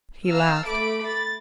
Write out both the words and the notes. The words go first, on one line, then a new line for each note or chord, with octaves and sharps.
He laughed.
F5 A5 A#5 E6 F6
A3 B5 D6 D7
A6